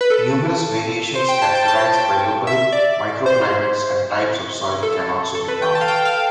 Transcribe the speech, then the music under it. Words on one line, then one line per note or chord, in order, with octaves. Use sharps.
Numerous variations characterised by local microclimates and types of soil can also be found.
B4
A4
C5
G5
A5
G5
A5
G5
E5
E5
D5
C5
A4
A4
B4
G5
A5
F5
G5
F5